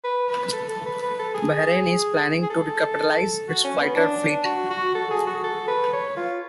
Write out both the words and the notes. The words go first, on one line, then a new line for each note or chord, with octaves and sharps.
Bahrain is planning to recapitalize its fighter fleet.
B4
B4
A4
A4
B4
B4
A4
G#4
G#4
A4
F#4
C#4
B3
D4
F#4
F#4
A4
G#4
F#4
A4
B4
C#5
F4